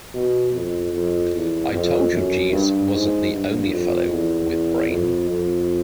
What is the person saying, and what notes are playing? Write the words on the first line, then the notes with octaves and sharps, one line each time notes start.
I told you Jeeves wasn't the only fellow with brain.
B2
F2
F2
E2
F2
F#2
G2
G#2
G2
F2
E2
F2
F2